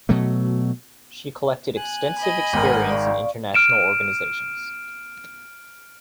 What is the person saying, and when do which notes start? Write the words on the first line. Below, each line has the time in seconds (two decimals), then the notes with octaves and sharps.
She collected extensive experience in international organizations.
0.09 B2 F#3 A3
1.77 G#5 F#6
2.17 D#5 B5
2.53 G#1 G#2 A#4 F#5
2.89 D5 F5 C#6
3.54 F6 D7 E7